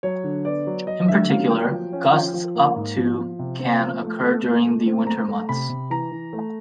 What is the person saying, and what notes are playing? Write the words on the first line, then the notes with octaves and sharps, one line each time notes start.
In particular, gusts up to can occur during the winter months.
F#3 C#5
D3
B3 D5
F#3
F#3 D#5
D3 E5
F#3 F5
F#3 G5
F3
C#4
F3
F3
A#3
G#2
F3
F3
C3
C4
F3
A3
A3
A3
A3
C4
A3 A#5
A3
C3 B5
C3
E3 A#5
E3
A3